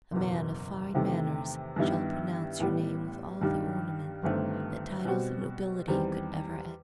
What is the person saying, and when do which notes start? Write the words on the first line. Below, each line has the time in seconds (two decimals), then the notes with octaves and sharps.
A man of fine manners shall pronounce your name with all the ornament that titles of nobility could ever add.
0.12 F#1 E2 B2
0.95 E2 C3 D#3 A3
1.76 G2 D#3 G3 B3 E4
2.60 A1 A2 G3 B3
3.41 G2 D#3 G3
4.23 G1 G2 D#3 A3 C4
5.05 B2 G3 C4 F#4
5.88 E2 D#3 G3 C4